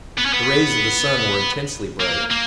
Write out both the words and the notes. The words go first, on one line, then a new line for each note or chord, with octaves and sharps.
The rays of the sun were intensely bright.
B3
C#4
B3
A#3
A#3